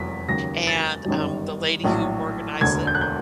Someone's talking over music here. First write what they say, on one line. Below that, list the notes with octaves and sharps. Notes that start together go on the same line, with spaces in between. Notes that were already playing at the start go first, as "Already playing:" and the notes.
and, um, the lady who organized it
Already playing: F1 E2 F#3 B6
D#2 C#3 F#3 A#6
A6
G1 F#2 D#3 G3
A#1 A2 F#3
E1 D2 D3 G#6
G6
F#6
G6